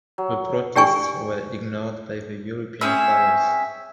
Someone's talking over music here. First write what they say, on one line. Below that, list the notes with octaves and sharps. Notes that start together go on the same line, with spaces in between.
The protests were ignored by the European powers.
F#3
G4 D5 G5 G#5 C#6
C4 C#4 G#4 E5